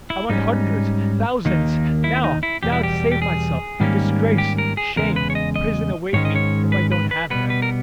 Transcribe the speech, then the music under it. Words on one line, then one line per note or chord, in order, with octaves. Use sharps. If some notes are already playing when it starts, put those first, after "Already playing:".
I want hundreds--thousands--now, now, to save myself! Disgrace, shame, prison await me if I don't have them.
E4
G#2 G3 C#4 D#4
D#2 D#3 A#3 D#4
E4
D#4
E4
E2 B2 G3 G4
E4
G4
G4
G#4
G#2 D#3 G3 A#3 C#4
G4
A#4
G#4
E2 C#3 G#3 A#4
B4
C#5
D#5
D#5
G#2 D#3 G#3 C#4 C#5
D#5
C#5
B4
B4
B4
B2 G3 B3 B4
B4
A#4